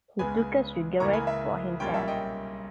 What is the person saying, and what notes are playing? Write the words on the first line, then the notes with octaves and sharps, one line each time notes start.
He took a cigarette for himself.
C#2 C#3 G#3 B3 G#5 B5
C#2 C#3 E3 A#3 A#5 C#6
G#5 B5
E5
B1 A#2 G3 A#3 C#4 G5
E5
D#5 G5